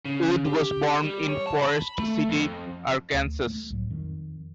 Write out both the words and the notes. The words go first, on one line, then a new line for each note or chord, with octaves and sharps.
Wood was born in Forrest City, Arkansas.
C#3
G4
G3
C#5
A5
B5
A3
F2
D2
A3
C2 A2 F#3
F2 D#3